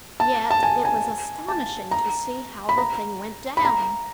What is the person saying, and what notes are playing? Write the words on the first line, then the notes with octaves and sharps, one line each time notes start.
Yet, it was astonishing to see how the thing went down.
A5
A5
G#5
G#5
A5
A#5
B5
A#5
B5
A#5